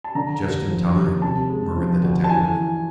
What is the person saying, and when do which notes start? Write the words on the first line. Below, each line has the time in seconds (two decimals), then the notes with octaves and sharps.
"Just in time," murmured the detective.
0.04 A5
0.15 D3 A#5
0.42 D#2
0.69 F3
0.96 D#2
1.22 C3 A5
1.49 G#3
1.76 F3
2.03 D2
2.24 A5
2.29 E3 G#5